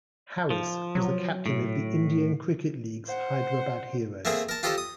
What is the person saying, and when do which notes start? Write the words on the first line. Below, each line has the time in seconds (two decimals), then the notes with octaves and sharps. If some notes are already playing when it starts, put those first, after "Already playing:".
Harris was the captain of the Indian Cricket League's Hyderabad Heroes.
0.50 F3
0.95 F#3
1.46 A2
3.06 C5 F#5
4.25 A3 A#3 C4 G#4 A#4
4.49 A#4 A5
4.63 F4 G4 A4 C5 D#5
4.78 D#6